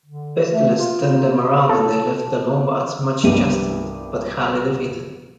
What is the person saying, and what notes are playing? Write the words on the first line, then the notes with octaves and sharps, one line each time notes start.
Pestilence turned them around and they left the Lombards much chastened, but hardly defeated.
D3
A3
F4
A#3
A4
C2 G2 B3 G4 D#7